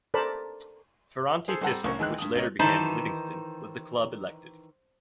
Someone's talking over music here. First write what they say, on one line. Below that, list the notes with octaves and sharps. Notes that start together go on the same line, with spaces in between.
Ferranti Thistle, which later became Livingston, was the club elected.
A4 A#4 C5 D5 A5 B5
G#4 A4 C5
G3 C4 A4 F#5 A#5
C2 A2 C#4 A#4 C#6
D#3 E3 G#3 D#4 F#6
G2 D#6
C#2 A#4 C#5 D#5
D#3 E3 D#4 C5 A5 B5